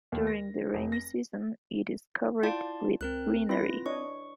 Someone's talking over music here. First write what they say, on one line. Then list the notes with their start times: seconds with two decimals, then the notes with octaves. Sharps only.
During the rainy season, it is covered with greenery.
0.12 D#2
0.27 A#6
0.73 F1
0.92 A#6
2.43 E4 F4 D5 G5 A5 C6
3.01 C#2 C4 A#4 F#6
3.49 C4 E4 F4 B4 A#6
3.86 D4 C#5 D#5 C#6